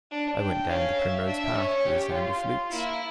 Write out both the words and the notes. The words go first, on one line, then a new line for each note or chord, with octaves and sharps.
I went down the primrose path to the sound of flutes.
D4
G5
C#4 F5
E5
D4 E5
C#4 C#5
G4
F4
A#3 E4